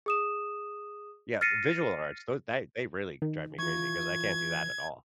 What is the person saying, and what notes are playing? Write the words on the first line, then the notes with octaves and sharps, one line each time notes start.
Yeah, visual arts, those that they really drive me crazy 'cause I can't do that at all.
G#4 D#6 E7
F6 A6 A#6 C7 C#7 D#7
D#3
E3 F4 C#6 G#6